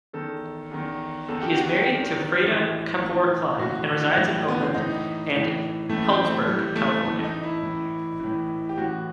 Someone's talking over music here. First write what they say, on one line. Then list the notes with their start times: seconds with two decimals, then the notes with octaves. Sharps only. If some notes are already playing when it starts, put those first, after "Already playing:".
He is married to Freada Kapor Klein and resides in Oakland and Healdsburg, California.
0.13 E2 D#3 A4
0.71 E2 D#3
1.29 E2 D#3 A4
1.42 G4
1.55 F#4
1.69 G4
1.86 E2 D#3 G4
2.44 A2 E3
3.01 A2 E3
3.59 A2 E3 F#4
4.17 A2 E3
4.48 B3
4.62 C4
4.74 A2 E3 D#4
5.32 A2 E3
5.89 A2 E3 A3
6.09 C4
6.28 A3
6.47 A2 E3 G3
6.75 A3
7.05 A2 E3 A3
7.24 D#4
7.43 E4
7.62 A2 E3
8.20 A2 E3
8.69 G4
8.77 A2 E3 F#4